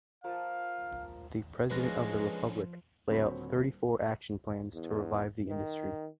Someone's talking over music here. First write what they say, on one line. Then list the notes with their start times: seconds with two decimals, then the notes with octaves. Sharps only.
The President of the Republic lay out thirty-four action plans to revive the industry.
0.24 F3 A#4 F5 A5
1.70 D3 F3 G#3 C#4 B4 F#6 A#6
3.10 D#1 D3 C4 F#4 C#5 B5
4.74 E2
5.48 D#3